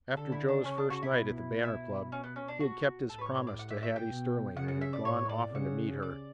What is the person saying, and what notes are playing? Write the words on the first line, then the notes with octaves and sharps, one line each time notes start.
After Joe's first night at the Banner Club he had kept his promise to Hattie Sterling and had gone often to meet her.
D3 A4
E4
D4
C#3 C#4
D4
F#4
E4
B2
B2 E4
C#4
B3
C#4
D4
F#4
A2 A4
B4
C#5
C#5
D5
F#5
E5
E5
G5
B2
C#3 F#5
F#5
E5
D5
A2 C#5
D5
C#3 F#5
D5